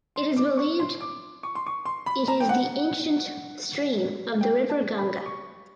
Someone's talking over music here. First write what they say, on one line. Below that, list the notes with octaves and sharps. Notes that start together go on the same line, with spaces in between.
It is believed it is the ancient stream of the river Ganga.
C6
D6
C#6
C6
D6
C#6
C6
C#6
C6
B5
A#5
G5
F#5
G5
A5
B5
C#6